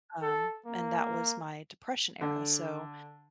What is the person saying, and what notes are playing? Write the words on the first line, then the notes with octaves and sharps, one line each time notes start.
Um, and that was my depression era, so,
A4
A#3
D3